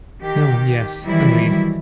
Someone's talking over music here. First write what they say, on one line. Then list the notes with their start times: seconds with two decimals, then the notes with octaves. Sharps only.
No. Yes. Agreed.
0.22 D#3 G4
1.05 D#3 E3 F#3 G3 E4